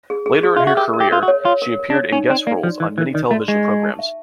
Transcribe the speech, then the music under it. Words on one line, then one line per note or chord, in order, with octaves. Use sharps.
Later in her career, she appeared in guest roles on many television programs.
G#4
G#4
G#4
F4 E5
F#4
G4 A#4
A#4
G4
F4 A#4
F#4
C#5
F4 A#4
A#4
A#4
D4
C#5
C#4 D#4
C4 D5
A#3 D5
F3 F#4
E3 A4
E3 D#4
D#3 D5
A3 F#4
G#3 C#6
C#6
A5
E5